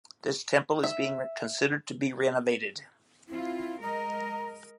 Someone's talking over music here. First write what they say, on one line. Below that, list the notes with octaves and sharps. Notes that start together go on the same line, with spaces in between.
This temple is being considered to be renovated.
E5
C4 E4 F4
G#3 A#4 D#5 A#5